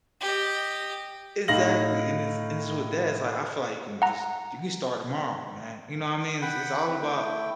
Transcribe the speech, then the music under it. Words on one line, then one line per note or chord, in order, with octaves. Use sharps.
Exactly, and this and this is what dad's like, I feel like you can just you can start tomorrow, man, you know what I mean? It's it's all about
G4 D#5
A2 D#4 F5 A#6 F#7
F#5 A#5
F#5 G5 B5
C4
A3 E4 G5